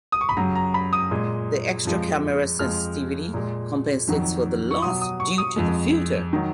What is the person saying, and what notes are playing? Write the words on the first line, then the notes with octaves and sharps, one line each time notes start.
The extra camera sensitivity compensates for the loss due to the filter.
D#6
C#6
B5
F#2 C#3 F#3 A#5
A#5
B5
D#6
A#2 G#3
F2 F3 G#3
F2 F3 G#3 F6
A#2 G#3
F2 D#3 F#3
C#6
B2 F#3 D#6
D#6
C#6
D#6
F2 F3 G#3
D#3 F#3